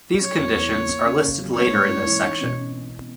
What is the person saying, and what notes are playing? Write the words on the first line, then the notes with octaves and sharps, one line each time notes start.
These conditions are listed later in this section.
F#3 C#5
E2
E2
C#3
A#3
C#3
C#3
F#3
A#3 C#5
G#2
E4
E3
D#4
B2